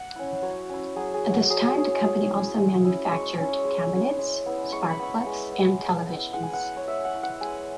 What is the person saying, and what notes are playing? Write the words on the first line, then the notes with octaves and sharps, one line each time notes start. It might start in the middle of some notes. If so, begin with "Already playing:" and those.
At this time the company also manufactured cabinets, sparkplugs and televisions.
Already playing: F#5
C#4 E4
F#3 C#5
C#4 E4
F#3 G#4
G#4
C#4 E4
F#4
F#3 G#4
G#4
C#4 E4
C#5
G#3
C#4 E4
G#3
C#4 E4
G#3 C#6
C#4 E4
G#3
C#4 E4
G#3
B3 E4
G#3 C#6
B5
B3 E4
G#3
B3 E4
G#3
B3 E4
G#3 F#5
G#5
F#5
E4
C#5
G#3 E5
F#5
E4
F#5
G#3 G#5